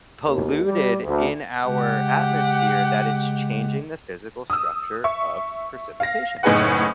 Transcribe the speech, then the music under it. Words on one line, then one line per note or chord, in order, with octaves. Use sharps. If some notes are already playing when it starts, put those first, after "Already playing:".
polluted in our atmosphere that it's changing the physical structure of precipitation
D#2
G3
D2
C#3 G#3 G4 F#5
D#6 E6
E5 C#6
F5 A#6
F#1 A2 D#4 G#4 B4 F#5